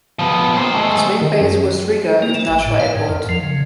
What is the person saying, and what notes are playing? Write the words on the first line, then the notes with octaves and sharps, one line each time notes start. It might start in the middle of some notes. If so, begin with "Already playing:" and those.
Its main base was Riga International Airport.
F3 B3
A#3 C5
G#3 A3
D#3
F#2
A#3
A3
G#1
A2
F5
G#2
F2
F3
C#3